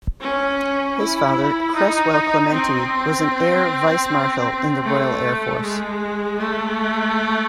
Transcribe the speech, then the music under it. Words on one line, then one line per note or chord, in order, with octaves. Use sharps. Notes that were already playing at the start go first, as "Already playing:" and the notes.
His father, Cresswell Clementi, was an Air Vice-Marshal in the Royal Air Force.
C#4
E4
D#4
C4
A3
G#3
A3